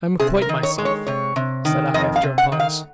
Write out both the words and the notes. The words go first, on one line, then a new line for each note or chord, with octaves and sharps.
'I am quite myself,' said I, after a pause.
C3 G#4
A#4
D#3
C#5
G#3
C#5
C3 C#5
C3
D#3
F2 D#5
F5
C3
F#5
D#3
F5